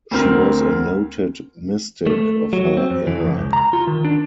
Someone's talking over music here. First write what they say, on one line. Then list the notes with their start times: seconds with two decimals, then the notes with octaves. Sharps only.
She was a noted mystic of her era.
0.11 D2 A#3 C4 F6
2.07 A3
2.53 F#3
2.77 C4
2.90 F2
3.07 E3
3.20 F2
3.38 C#2
3.53 A#5
3.73 F4
3.87 D#3
4.05 D4